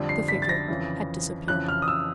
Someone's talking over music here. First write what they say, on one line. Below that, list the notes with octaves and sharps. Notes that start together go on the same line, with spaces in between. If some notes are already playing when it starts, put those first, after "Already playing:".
The figure had disappeared.
Already playing: F2 D3 G3
C7
B6
A6
A#6
F2 C#3 E3
F2 C#3 E3 F#6
F6
D#6
E6